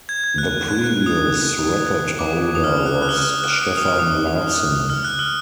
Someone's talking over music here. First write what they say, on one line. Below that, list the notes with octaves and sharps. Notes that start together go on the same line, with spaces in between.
The previous record holder was Stefan Larsson.
G#6
G#6
F#6
G#6
F#6
F#6
D#6
D6
D#6
F6
F#6
F#6
F6
F6
D#6
D#6
D#6
F6
F#6
F6